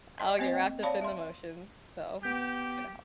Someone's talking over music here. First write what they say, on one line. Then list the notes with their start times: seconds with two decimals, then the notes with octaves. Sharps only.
I'll get wrapped up in the motions. So, it's gonna hel
0.20 D#5 C6
0.39 A#3 C4 C5 D#5 G5
0.83 C#5 D5 F5 A5 B5
1.01 E5 C6
2.23 B3 G4 G6